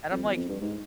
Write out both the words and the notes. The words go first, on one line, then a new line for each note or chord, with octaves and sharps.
and I'm like,
F2
E2
F2
G2
G#2